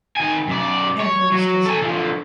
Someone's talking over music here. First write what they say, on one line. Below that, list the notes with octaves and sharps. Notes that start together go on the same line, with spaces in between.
Yeah, it does, doesn't it?
D#3 G#5
F#2 D5
C#5
F#3
A4 G#5
D3 F3